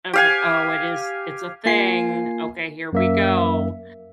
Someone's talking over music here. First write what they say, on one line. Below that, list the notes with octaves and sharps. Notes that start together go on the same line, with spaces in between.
I was like, "Oh, it is it's a thing. Okay, here we go."
G4 F5 G#5
A#3 F4 G#5 C7
F#2 A#3 E5